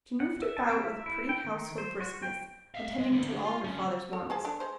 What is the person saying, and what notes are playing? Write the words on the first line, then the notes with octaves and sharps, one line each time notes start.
She moved about with pretty household briskness, attending to all her father's wants.
F#5
E5
A5
C4
E5
E4
G5
D#3
C5
F#4
G5
E5 F5
G#3
D2 D3
A3 D4
F4
D3 C#4
A4
F3 G#4 A5
A3 D4
G#3 C5